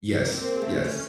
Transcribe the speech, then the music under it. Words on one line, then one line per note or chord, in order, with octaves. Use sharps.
Yes, yes.
A#3 C4 A#4
G#4
A3 C#4 A4